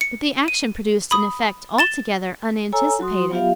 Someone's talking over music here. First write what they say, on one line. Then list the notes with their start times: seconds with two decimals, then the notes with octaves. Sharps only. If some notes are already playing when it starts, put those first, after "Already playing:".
But the action produced an effect altogether unanticipated.
0.01 C#7
0.48 D#7
1.11 B5 D#6
1.78 A6 E7 G7
2.72 A4 C#5 G#5 A#5 E6
3.00 F#3 F#4 C6 D#6
3.31 F#3 B3 F4 G4 E5 F5